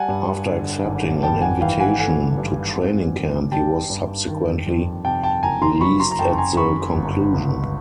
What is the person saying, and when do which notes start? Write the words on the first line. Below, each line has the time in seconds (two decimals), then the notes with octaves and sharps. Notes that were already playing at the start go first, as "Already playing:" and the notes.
After accepting an invitation to training camp he was subsequently released at the conclusion.
Already playing: G3 F#5 G#5 A5
0.08 G2
0.46 D3
0.84 G#1
1.23 G2 G5 A5
1.42 F#5 G#5
1.61 E3 F5 G5
1.80 F#5 G#5
1.99 A3 F#5 G#5
2.37 G2
2.75 C4
3.14 D#3
3.52 G3 G5 A5
3.90 G2
4.28 D#3
4.66 F2
5.04 C3 G5 A5
5.23 G5 A5
5.43 F#1 G#5 A#5
5.62 A#5 C6
5.81 F#3 B5 C#6
6.00 A#5 C6
6.11 A#5
6.19 F#2 G5 A5
6.38 G#5 A#5
6.57 D#3 B5 C#6
6.95 G1
7.34 C#2